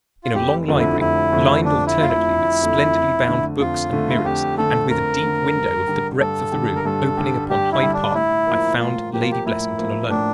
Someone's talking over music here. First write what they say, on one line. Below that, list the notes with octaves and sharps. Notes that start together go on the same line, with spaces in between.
In a long library, lined alternately with splendidly bound books and mirrors, and with a deep window of the breadth of the room opening upon Hyde Park, I found Lady Blessington alone.
F4
F1 G4
F2 D3 F3 A3
E4
F1 E4
F2 D3 F3 A3
F1 D4
E4
F2 D3 F3 A3 F4
E4
F1
F2 D3 F3 A3
F2
D3 A3
F2 F4
D3 A3
E4
F4
F2 G4
D3 A3 A4
F2 A#4
D3 A3
G2
D3 G3
G2 A4
D3 G3
A#4
G2 A4
D3 G3
G2 G4
E4
D3 G3
D4
A2 E4
F3 A#3
A2 F4
F3 A#3 G4
F4
G4
A2 E4
F3 A#3
A2 D4